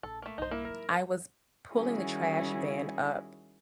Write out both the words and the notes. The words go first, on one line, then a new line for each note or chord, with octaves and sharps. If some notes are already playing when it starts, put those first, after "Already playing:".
I was pulling the trash bin up
A#1 A4
A3 A#3
B1 G2 D#4 C5
A#3 E4
G#2 F#3 A#4
D#3 G3 C#4 E4 F#4 G#4